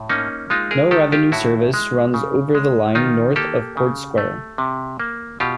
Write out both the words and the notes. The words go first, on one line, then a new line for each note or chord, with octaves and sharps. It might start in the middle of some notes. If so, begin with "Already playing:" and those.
No revenue service runs over the line north of Court Square.
Already playing: A2
A#3 C#4 D#4
G#3 D#4 F4
G#4 A#4
D#3 G4 A4
F4 G4
A2 E4 F#4
G#3
C#3
G#3
D#3 D#4 F4
A#3 G4 A4
C#3
A3
C3
A#3
B2 F4 G4